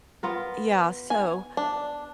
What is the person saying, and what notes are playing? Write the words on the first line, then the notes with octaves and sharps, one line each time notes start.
Yeah, so
B3 F4 A#4
G#5
D4